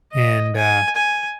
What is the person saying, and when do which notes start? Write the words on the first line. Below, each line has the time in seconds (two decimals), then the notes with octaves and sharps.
And, uh.
0.13 D#5
0.56 G#5
0.96 G#5